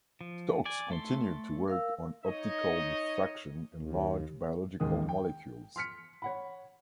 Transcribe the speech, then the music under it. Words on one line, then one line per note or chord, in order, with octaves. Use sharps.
Stokes continued to work on optical diffraction in large biological molecules.
F3
D5 G#5
A3 A4 C6
A#4 F5 E6
D#4 C#5 D#5
D#2
A1 D#2 G#3 A#3 D#6
G5
C6 F6 B6 C#7
C#5 F#5 B5